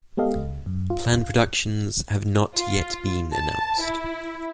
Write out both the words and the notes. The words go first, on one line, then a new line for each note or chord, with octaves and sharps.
Planned productions have not yet been announced.
G#3 B3 G4 A4 D#5 F5
C#2
F#2
F4
F4
A5
E4